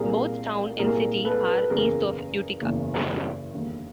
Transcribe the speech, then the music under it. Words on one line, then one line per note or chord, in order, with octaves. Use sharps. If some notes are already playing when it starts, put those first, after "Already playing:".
Both town and city are east of Utica.
Already playing: C2 A#2 G3 G#4 A#4
C2 A#2 G3 G#4 A#4
A4 B4
A4 B4
F#1 E2 C#3 G#4 A#4
F#1 E2 C#3
E1 D#2 D3